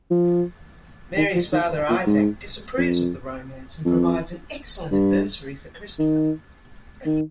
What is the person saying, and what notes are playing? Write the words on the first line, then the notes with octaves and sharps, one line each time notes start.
Mary's father Isaac disapproves of the romance and provides an excellent adversary for Christopher.
F3
D#3
F3
D#3
A#2
G#2
F2
F2
G2
D#3
D#3